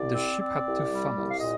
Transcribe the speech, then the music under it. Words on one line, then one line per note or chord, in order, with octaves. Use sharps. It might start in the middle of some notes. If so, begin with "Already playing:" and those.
The ship had two funnels.
Already playing: C2 D5
C4
C4
C2
G3
C2
F5
A#2 D#5